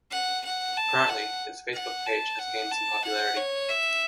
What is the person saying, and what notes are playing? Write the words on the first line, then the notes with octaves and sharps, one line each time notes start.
Currently, its Facebook page has gained some popularity.
F#5
F#5
A5
F#5
F#5
A5
F#5
A5
F#5
C#5
E5